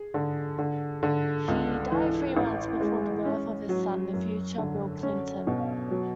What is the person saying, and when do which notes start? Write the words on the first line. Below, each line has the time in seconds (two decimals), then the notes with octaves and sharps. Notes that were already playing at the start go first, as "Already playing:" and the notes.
He died three months before the birth of his son, the future Bill Clinton.
Already playing: G#4
0.14 D3
0.59 D3
1.03 D3
1.48 C#2
1.92 E3
2.37 A1
2.80 G#3
3.25 C#4
3.69 F#3
4.14 F#2
4.58 D3
5.03 C#4
5.47 B2
5.91 F#3